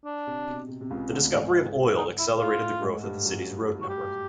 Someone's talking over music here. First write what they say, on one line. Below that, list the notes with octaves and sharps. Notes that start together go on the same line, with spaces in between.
The discovery of oil accelerated the growth of the city's road network.
D4
C3
B2
C3
C3
C#2 C#3
D2 D3
G#2 G#3
D#4
E4
F4
A2 A3
G#2 G#3
G2 G3
F#2 F#3
F#4
G4